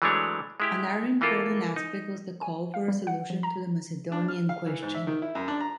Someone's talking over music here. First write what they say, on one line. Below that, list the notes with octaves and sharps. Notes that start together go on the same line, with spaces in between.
Another important aspect was the call for a solution to the Macedonian Question.
E3 F#3 G#3 A3 D4 C#5
G#3 E4 G4
E3 A#3 E4 F4 A4 A#4
D#4
G#5
F5
G3
F#5
F3
A#5
D4
F6
F5
E3
G#2
E5
D#3
E4
F#2
D4
A#5